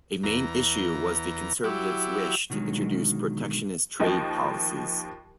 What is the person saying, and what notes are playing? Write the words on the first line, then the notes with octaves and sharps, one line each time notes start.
A main issue was the Conservatives' wish to introduce protectionist trade policies.
E2 A#5
F#3 E4 G4
B2 D3 D#3 F#3 G#3
D#2 F3 D#5